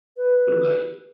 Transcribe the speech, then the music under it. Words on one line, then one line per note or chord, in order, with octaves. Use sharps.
What about you?
B4